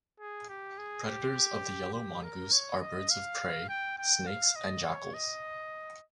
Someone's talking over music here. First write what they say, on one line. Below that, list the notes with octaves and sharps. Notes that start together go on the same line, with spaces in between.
Predators of the yellow mongoose are birds of prey, snakes and jackals.
G#4
G4
G#4
G4
G4
A#4
C#5
D#5
F5
G5
G5
F5
D#5
C#5
D#5